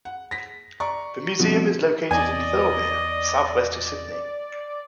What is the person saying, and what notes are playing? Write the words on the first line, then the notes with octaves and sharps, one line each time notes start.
The museum is located in Thirlmere, south-west of Sydney.
F#5
A#6 B6
D5 A#5 C#6
B2 D3 F3 G3 C4
E2 D5 D#5 G#5